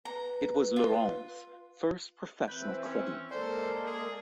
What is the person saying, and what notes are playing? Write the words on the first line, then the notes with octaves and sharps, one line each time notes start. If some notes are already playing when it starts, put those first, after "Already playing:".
It was Laurents' first professional credit.
B4 A#5
F4
E3 C4 E4 B4 G6
C#4
G#3 A#3 A4 A#4 C5 D5
G#4